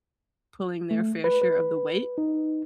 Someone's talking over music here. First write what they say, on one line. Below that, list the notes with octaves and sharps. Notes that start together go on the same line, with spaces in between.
pulling their fair share of the weight
A3
B4
B4
D#4